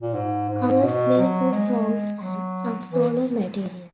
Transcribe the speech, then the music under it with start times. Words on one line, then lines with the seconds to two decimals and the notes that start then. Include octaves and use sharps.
Covers many Who songs and some solo material.
0.02 A#2
0.14 G#2
0.49 G#2
0.83 B2
1.18 F#3
1.52 G#3
2.22 F#3
2.91 E3